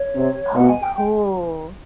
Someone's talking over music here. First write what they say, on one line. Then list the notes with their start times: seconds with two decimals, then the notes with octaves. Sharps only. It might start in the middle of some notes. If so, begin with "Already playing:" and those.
Oh, cool.
Already playing: C#5
0.15 C3
0.55 B2 F#5
0.69 G#5
0.83 G5
0.96 G5